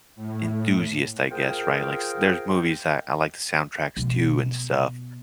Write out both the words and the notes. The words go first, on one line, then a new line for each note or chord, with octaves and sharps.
enthusiast, I guess, right, like s there's movies that I like the soundtracks too and stuff,
A2
F4 G#4 A#4 C5 G5
B2